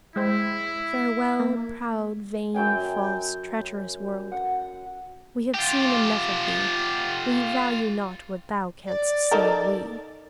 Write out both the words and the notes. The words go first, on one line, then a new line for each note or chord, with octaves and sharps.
"Farewell, proud, vain, false, treacherous world, We have seen enough of thee: We value not what thou canst say of we."
G#3 C4 E4
A#3
F#2 G5 G#5
F#5
F4 G4
D5
D#4 A4 A#4